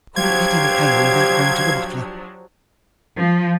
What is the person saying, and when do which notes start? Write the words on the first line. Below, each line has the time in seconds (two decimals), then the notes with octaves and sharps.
I couldn't get any ale without going to the butler.
0.16 F3 F#3 D4 G4 C5 F5 G#6
3.16 F3